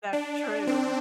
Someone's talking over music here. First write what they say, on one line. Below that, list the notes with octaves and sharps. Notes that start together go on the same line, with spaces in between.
That's true.
D4
C4